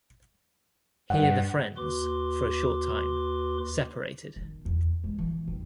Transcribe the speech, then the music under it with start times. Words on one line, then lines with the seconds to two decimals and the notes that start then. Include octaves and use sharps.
Here the friends, for a short time, separated.
1.10 G2 F#5
1.77 D#2 F#4 B4 C6 D6
4.36 D#3
4.65 E2
5.04 G#3
5.19 E3
5.48 D#2